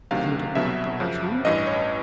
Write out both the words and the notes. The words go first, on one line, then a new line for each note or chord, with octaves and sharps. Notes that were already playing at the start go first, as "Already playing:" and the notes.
"You did not believe him?"
D2 C3 D#3 F#3 F5
C2 B2 F#3 E5
F#2 C#3 F3
A1 G2 E3 D#5
C#5